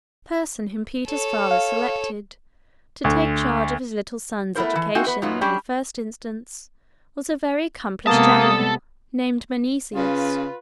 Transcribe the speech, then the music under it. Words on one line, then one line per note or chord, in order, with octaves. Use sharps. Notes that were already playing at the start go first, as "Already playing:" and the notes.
The person whom Peter's father selected to take charge of his little son's education, in the first instance, was a very accomplished general named Menesius.
A4 C#5
F5
D2
A3 B3 E4 A#4 C5
E3
C4 D#4 F4 F#4 G#5
B3 B4
F#2 A#2 F#3 B3 D#4 F4
G3 C#4 D4 G4
C3 G#3 A#3 B3 A4 A5 D#6
C#3 F4 B4